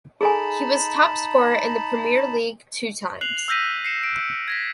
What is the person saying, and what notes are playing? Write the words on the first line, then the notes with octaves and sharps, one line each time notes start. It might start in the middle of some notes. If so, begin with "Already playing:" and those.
He was top scorer in the Premier League two times.
D#4 G#4 A4 G#5 A5 B5
F#6 C7 F7 F#7
E6 F6 G6 A#6 B6 D#7
C7 C#7 E7
D7
G#6 A#6 B6